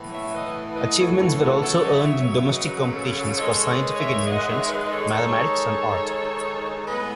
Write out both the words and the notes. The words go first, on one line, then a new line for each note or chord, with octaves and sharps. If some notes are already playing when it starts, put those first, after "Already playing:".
Achievements were also earned in domestic competitions for scientific inventions, mathematics and art.
Already playing: A2 E3 B3
C#5 E5
B4 D#5
B4 D#5
A4 C#5
A4 C#5
F#4 A4
F#2 C#3 F#3 A4 C#5
D#5
C#5 E5
C#5 E5
B4 D#5
A4 C#5
D#3 G#3 D#4 A4 C#5
B4 D#5
C#5 E5
D#5 F#5
C#5 E5
B4 D#5
A4 C#5
D#3 G#3 D#4 A4 C#5
A2 G#3 B3 B4 D#5